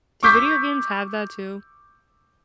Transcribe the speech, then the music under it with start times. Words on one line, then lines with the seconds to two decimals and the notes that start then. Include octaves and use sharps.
Do video games have that too?
0.23 C#6 D6 E6 G6 B6